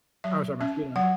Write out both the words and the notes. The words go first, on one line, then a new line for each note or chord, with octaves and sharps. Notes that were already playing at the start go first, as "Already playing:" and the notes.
I lose all my freedom,
F#3 E5
C#4 E5
F#3 F#5